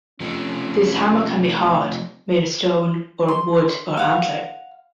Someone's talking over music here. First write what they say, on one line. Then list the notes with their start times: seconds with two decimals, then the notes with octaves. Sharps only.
This hammer can be hard made of stone or of wood or antler.
0.20 F3 A3 C4 C#4
3.28 C6
3.97 F5 F#5